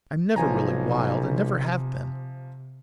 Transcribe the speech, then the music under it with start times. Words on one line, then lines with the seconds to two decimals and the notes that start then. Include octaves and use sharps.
I'm never really wild and never have been.
0.36 B1 C3 F3 G#5 A#5